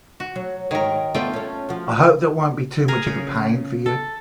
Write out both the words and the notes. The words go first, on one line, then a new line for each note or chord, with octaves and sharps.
I hope that won't be too much of a pain for you?
F#4
F#3
G#2 D#3 A#4 C#5
G2 A3 B3 F4 D5 G5
C#4 A4
F3 F#4
G#4 A#4 G#5
C#3
A4